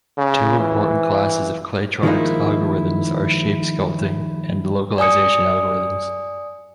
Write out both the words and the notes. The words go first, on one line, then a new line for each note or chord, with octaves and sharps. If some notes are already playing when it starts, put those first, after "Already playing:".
Two important classes of claytronics algorithms are shape sculpting and localization algorithms.
C#3
E3
D#3 F3 G#3 A#3 D#4 E4
D5 G#5 D#6 C#7